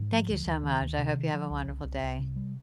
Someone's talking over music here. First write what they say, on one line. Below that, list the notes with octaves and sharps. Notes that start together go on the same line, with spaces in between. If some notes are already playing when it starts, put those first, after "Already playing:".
Thank you so much, I hope you have a wonderful day,
Already playing: G#2
F3
D2
D2
D#3
D2
C3
D#3
F3
C2
C2
C2
C2
C3
G3